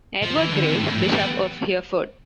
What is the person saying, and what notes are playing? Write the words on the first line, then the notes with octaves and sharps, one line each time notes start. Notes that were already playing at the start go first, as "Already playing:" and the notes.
Edward Grey, Bishop of Hereford.
F3
E3
D3
C3
A2
G2
A2
E3
G3
B3